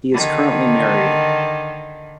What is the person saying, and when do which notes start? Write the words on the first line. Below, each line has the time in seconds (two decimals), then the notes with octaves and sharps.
He is currently married.
0.13 D3 D#3